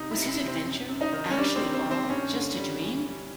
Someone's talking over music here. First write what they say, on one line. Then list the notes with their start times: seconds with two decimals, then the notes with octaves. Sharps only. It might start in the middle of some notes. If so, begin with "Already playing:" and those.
Was his adventure actually all just a dream?
Already playing: C3 D#4
0.11 E4
0.17 C3
0.29 E4
0.41 C3
0.47 C4
0.65 F#2
0.88 F#2
1.01 D#4
1.13 D#3
1.30 C#4
1.37 G3 D4
1.55 C4
1.61 D#3
1.74 C4
1.85 D#3
1.91 C4
2.10 G2 C#4
2.34 D3
2.57 G3
2.82 E3
3.06 G3